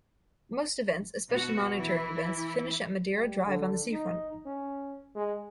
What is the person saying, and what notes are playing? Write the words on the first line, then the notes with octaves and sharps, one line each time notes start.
Most events, especially motoring events, finish at Madeira Drive on the seafront.
B2 F#4
E3 E4
G3
D3
D#4
C#4
G#3